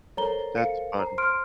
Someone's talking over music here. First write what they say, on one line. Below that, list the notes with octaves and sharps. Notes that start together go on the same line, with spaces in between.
That's fun,
A4 A#4 C5 C#5 A#5 G7
F5 C#7
C5 A#5
C6 F6 D7